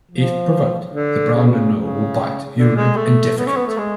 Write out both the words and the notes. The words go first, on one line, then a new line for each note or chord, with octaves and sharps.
If provoked, the brown anole will bite, urinate, and defecate.
F3
D3
C#3
B2
C#3
C#3
D3
G#3
A3
B3
C#4
B3
A3
G#3